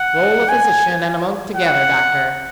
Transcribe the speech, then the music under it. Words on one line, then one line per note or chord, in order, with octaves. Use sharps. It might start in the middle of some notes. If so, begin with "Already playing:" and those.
"Roll a physician and a monk together, doctor!"
Already playing: F#5
G#5
F#5